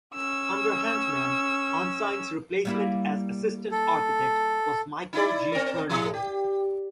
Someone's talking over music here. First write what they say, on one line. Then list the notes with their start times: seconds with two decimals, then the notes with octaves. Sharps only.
Under Hantman, Ensign's replacement as Assistant Architect was Michael G. Turnbull.
0.15 C#4 E6
2.65 G3 A#3 E4
3.71 A4
5.13 D#4 E4 D5
5.52 C4 A#4
5.90 F3 E4 G#4
6.14 G4